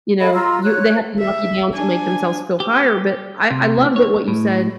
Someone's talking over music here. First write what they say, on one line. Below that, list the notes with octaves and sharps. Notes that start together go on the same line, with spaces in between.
you know, you they have to knock you down to make themselves feel higher, but I I love that what you said
A4 D#5 F5 B5
F4 A#5 C6 E6
C#5 F#6
E5
D4 G#5
G4
C3
C#5
A2